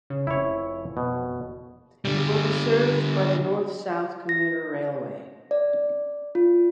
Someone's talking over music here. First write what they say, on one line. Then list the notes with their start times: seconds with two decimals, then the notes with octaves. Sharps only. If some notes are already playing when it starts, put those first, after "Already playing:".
It will be served by the North–South Commuter Railway.
0.10 C#3
0.27 F1 E4 C#5
0.97 B2
2.05 D3 G3
4.29 A#6
5.51 D5
6.35 F4